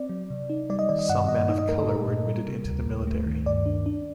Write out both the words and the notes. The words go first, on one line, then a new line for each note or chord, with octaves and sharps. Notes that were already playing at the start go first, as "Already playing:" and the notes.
Some men of color were admitted into the military.
Already playing: C4 D5
F#3
C3
D#4
G3 D5
D#5
D#3 D5
D#5
G2 F#5
G2 D#5
D#4 D#5
D#5
A3 A#4
A4
A#2 A#4
A#2
G3
C3
D2
D2
A3
D#3
G2 D5
D4
D4